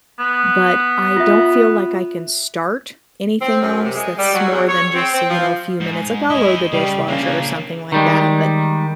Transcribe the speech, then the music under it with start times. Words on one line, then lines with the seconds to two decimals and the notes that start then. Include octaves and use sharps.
but I don't feel like I can start anything else that's more than just, uh, you know, a few minutes, like, I'll load the dishwasher or something like that, but,
0.19 B3
1.17 F4 E5
3.42 C4
3.62 F#2
3.84 C3
3.95 G#3
4.18 G3
4.34 F#3
4.51 E2
4.69 C#5
4.94 C4
5.13 C4
5.30 F3
5.80 G#2
6.30 E4 G#4 D#5
6.73 C#3 G3
7.08 C#3 A#3 D4
7.92 D#3 G3 G#3